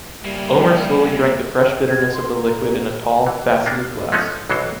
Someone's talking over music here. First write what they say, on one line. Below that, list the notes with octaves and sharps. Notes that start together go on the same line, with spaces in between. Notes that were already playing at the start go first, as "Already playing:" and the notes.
Omer slowly drank the fresh bitterness of the liquid in a tall, faceted glass.
G3 A#3 E4
G#6
C6
A#5
E3
A#3 B3 D4
F3 G#3 A3 B3 C#4 D#4
B1 E3 F#3 D4 A4 C5